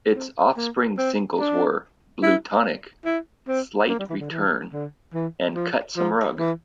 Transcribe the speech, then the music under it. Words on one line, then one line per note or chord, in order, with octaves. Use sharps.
Its offspring singles were "Bluetonic", "Slight Return" and "Cut Some Rug".
C4
A#3
C4
D4
E4
E4
C4
A#3
G3
E3
D3
E3
D3
E3
F3
F3
E3